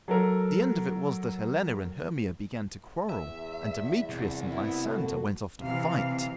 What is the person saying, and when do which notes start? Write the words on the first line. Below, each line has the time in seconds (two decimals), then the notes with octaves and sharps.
The end of it was that Helena and Hermia began to quarrel, and Demetrius and Lysander went off to fight.
0.08 F#3 A4 A#4
3.09 E2 E5
4.09 C2
4.50 B3 E4
4.86 A#3 F#4 A4
5.61 C3 E3 F5